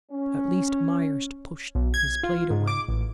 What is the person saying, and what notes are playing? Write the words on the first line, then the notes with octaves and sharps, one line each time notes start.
At last Myerst pushed his plate away.
C#4
B1
G#6
F4
G#2
D6
A1